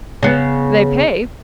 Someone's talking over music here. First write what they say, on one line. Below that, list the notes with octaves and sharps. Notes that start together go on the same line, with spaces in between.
They pay.
C#3 B3